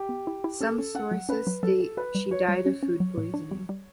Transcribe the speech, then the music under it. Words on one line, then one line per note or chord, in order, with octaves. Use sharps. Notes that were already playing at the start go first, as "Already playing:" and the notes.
Some sources state she died of food poisoning.
Already playing: G4
B3
E4
E4
C#4 A4
C#4
C#4 F#5
F#3
C#4 B4
F#3
F#3 A4
G4
F#4 B4
G3
F#4 C#5
G3
C#4
C#4
F#3
A2
D4
G3
G3